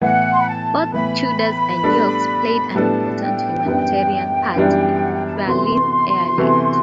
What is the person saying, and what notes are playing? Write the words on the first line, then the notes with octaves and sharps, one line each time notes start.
Both Tudors and Yorks played an important humanitarian part in the Berlin Airlift.
A2 E3 B3 F#5
C6
B5
A5
A2 E3 B3 B5
A2 G3 B3 D4 A4
B5
A2 G3 B3 D4 A4 A5
G5
F#2 E3 G3 B3 D4
F#2 E3 G3 B3 D4
F#5
G5
A5
B5
C3 E3 B3 F#4 A4 C6
C3 E3 B3 F#4 A4